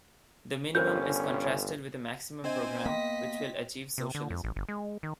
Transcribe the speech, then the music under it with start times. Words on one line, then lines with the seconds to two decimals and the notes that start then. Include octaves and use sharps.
The minimum is contrasted with a maximum programme, which will achieve socialism.
0.75 G1 C#4 F4 A#4 C5 G6
2.44 C4 D4 C5 D#5 E5 G#5
2.86 A#3 B3 D#5 G5 C6 B6
3.98 C3
4.15 D3
4.30 F2
4.44 A1
4.56 G1
4.69 G#3
5.03 D#3